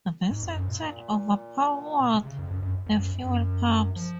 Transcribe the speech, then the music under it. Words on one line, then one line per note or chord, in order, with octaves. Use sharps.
This in turn overpowered the fuel pumps.
G#2
F2
F#2
A#2
C3
C#3
F2
F#2
F#2
F2
F#2
F#2
F3